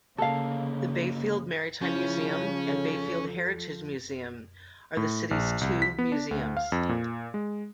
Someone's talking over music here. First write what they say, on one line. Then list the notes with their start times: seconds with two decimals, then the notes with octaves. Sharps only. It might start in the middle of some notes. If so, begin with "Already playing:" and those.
The Bayfield Maritime Museum and Bayfield Heritage Museum are the city's two museums.
0.18 D2 C#3 A#3 A4 F5
1.82 C#3 F3 C#4 E4
2.63 A4
4.97 A2
5.31 A#1
5.61 C2
5.82 B6
5.99 B3
6.12 D4
6.31 D2
6.57 F5
6.72 F2
6.89 A#2
7.34 G#3